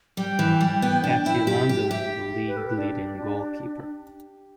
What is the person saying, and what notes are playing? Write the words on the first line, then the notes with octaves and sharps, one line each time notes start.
Caccialanza was the league leading goalkeeper.
G3 G5
E3
G3
B3
D4
E4
G4
G4
G5
G4 E5
B4
A4
B4
D4